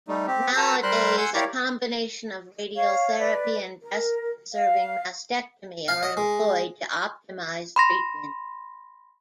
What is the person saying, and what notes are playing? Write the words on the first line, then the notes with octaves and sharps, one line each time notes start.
Nowadays, a combination of radiotherapy and breast conserving mastectomy are employed to optimize treatment.
G3 A3 D#4
C4 G4
F#4 A4 B4 A5 A#5
G3 A#4 C5 B5 C6 F#6
F#5 G#5 C6 E6 G6
E4 G4 A#4 C#5 D5 F5
C#5 F5
B4 D5
A#4
F5
F5
D#5
G#3
B5 C6 A#6